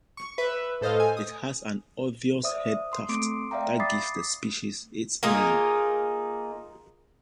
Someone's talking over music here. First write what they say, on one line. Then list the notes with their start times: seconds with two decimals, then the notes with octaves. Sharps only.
It has an obvious head tuft that gives the species its name.
0.17 C#6
0.38 B4 E5
0.81 A2 A4 C5 D#5 F5
1.00 G#5
1.17 D#6
2.43 C5 D5 E5 D#6
2.92 C6 D#6
3.09 A3 C4 C6 D6 D7
3.51 D5 E5 F5 G5 A#5
3.80 B5 D6 D#6 A6 B6 C7
5.23 A#3 D#4 F4 G#4